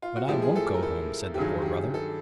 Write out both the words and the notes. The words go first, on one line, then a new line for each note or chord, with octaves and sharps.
"But I won't go home," said the Poor Brother.
F4
F#4
A2 F3 G#3 G4
G#4
A4
A#4
A4
G4
G2 D#3 F#3 G#4
G4
G#4
A4